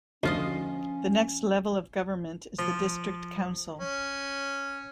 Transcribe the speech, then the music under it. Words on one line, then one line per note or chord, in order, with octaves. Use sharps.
The next level of government is the district council.
D2 F3 C#4 F4 D#5
F3
C#4